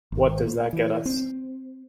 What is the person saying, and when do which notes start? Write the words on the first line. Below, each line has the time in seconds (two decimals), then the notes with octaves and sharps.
What does that get us?
0.12 G#1
0.43 A#2
0.73 E3
1.05 C4